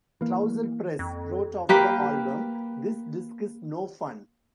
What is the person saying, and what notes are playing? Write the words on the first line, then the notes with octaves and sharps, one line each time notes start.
"Trouser Press" wrote of the album: "This disc is no fun".
E3 A#3
F2
A#3 G4 B4